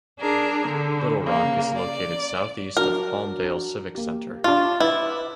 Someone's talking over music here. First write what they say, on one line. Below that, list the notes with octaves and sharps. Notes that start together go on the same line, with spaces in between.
Littlerock is located southeast of Palmdale's Civic Center.
D4 G#4 A#4
D3
C#3 A#3
D5
F#3 D4 A#4
A#3 G4
D4 F4 C#6
E4 B4 D6 A6